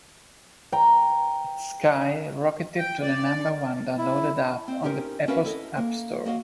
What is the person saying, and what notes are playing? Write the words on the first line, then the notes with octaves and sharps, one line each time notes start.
It sky rocketed to the number one downloaded app on the Apple app store.
G5 A#5
G5
D5
E4
C4
C#4 D#4 G4 A4 A#4 C5
C#4 F#4 A#4 B4 E5 F5
E4 A4 D#5
A#3
A#3 F#4 D#5 F5